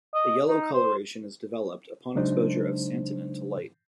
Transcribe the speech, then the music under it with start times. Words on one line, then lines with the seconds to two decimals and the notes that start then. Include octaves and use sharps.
A yellow coloration is developed upon exposure of santonin to light.
0.15 D#5
0.47 D#4
0.73 C5
2.15 C#3 F#3 G#3 D4 D#4 C5